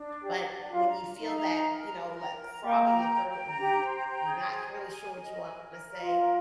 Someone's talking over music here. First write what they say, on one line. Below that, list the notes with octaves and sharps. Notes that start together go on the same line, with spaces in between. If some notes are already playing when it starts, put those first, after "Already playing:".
but when you feel that, you know, that frog in your throat, and you you not really sure what you want to say,
Already playing: D4
D5
G4 D5
D5
D4
F4 F5
A#5
A#4
D#4 F5
A#5
A#5
A#4
A#5
A#4
A#5
A#4
A#5
A#3 G5
A#5
G5
G5
G5
A#5
G4 G5
C5
A#5
G5
G#4
C5
G#5
A#4
G#5
A#4
D#5
G#5
A#4
A#4
A#4
F4 D#5
A#4